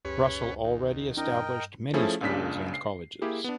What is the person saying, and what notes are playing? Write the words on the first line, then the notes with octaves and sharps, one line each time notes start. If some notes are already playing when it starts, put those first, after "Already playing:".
Russel already established many schools and colleges.
C#2 F#2 C#3 G4 B4 C#5
D#2
C4 D4 E4 A#4 D#5 G5
G2
F3 A3 C#4 E4 G#4 A4
C#2 A#2 C#3 D4 B6
C7
A#3 E4 G4 G#4
B3 D4